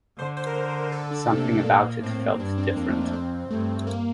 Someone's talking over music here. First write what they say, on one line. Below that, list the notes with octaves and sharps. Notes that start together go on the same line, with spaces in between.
Something about it felt different.
D3 C5
C5
A#4
A4
D4
C3 A3
A#3
A3
A#2 A#3
A#3
A2 C4
G2 D4
C4
F2 A#3
A3
A#3
C4
G2 A3
A#3